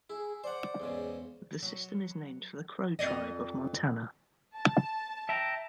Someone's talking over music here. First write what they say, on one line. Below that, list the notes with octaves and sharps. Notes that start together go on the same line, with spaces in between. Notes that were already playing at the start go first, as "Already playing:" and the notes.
The system is named for the Crow Tribe of Montana.
E4 G#4
C5 D5 F#5
E2 G#2 C#3
F#3
F2 D5 D#5
A5
E5 G5 A#5